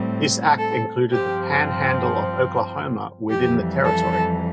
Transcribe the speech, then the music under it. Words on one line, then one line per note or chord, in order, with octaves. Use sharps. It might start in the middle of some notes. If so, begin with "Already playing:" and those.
This act included the Panhandle of Oklahoma within the territory.
Already playing: A2 G3 C4
A4
G2 F3 C4 G4
F2 E3 G3 G4
A4